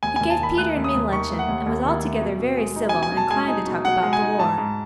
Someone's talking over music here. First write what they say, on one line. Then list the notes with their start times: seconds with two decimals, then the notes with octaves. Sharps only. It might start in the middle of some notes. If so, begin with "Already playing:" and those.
He gave Peter and me luncheon, and was altogether very civil and inclined to talk about the war.
0.03 D#2 G#5
0.16 D#2 G#5
0.30 A5
0.39 D#3 B5
0.57 A3 F#6
0.76 D#2
0.84 D#6
0.94 D#2
1.12 D#3 C#6
1.30 A3
1.39 F#5
1.48 D#2
1.66 D#2
1.85 D#3
2.03 A3
2.22 B2
2.39 B2
2.57 G#3
2.76 D#4
2.89 G#5
2.94 B2
3.03 G#5
3.12 B2
3.17 A5
3.30 G#3 G#5
3.48 D#4
3.66 B2
3.85 B2 F#5
4.03 G#3
4.13 G#5
4.22 D#4
4.39 G#2 A5
4.58 G#2